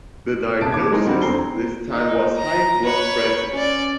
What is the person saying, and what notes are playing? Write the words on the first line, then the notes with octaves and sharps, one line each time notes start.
The diagnosis this time was high blood pressure.
D#1 C3 A5 D7
D6 G#6
E3 G#3 C4 D#4 A#4
G3 C4 D4 F#4
E2 C4 A4 A#5 C7 G7
D#4
A#5
B4 C#5
C#4 D5